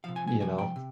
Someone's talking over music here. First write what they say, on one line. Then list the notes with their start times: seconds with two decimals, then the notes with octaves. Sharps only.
you know?
0.04 C3 F3 F5
0.16 G#5
0.27 G#5
0.41 C3 F3 G#5
0.58 G5
0.76 C3